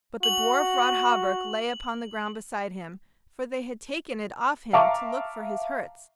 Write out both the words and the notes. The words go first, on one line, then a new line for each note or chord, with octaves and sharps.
But the Dwarf-wrought Hauberk lay upon the ground beside him; for they had taken it off him to look for his hurts.
F#4 F#7
E5 F5 A5 A#5 C#6 D6